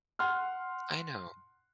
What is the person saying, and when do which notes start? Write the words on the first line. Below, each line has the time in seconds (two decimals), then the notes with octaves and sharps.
I know.
0.19 F#5 C6 F6